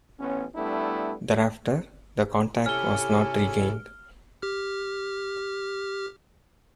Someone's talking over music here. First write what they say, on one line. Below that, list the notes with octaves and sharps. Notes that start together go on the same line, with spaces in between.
Thereafter the contact was not regained.
A1 B3 C#4
G3 A3 B3 D4 E4
C3 C#4 E4 G4 A4 F6 G7
G4 F6